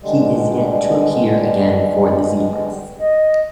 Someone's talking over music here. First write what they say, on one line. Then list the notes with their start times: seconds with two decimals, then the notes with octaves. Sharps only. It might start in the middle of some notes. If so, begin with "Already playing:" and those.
He is yet to appear again for the Zebras.
0.02 B2 D3 G3 G#3
2.99 D#5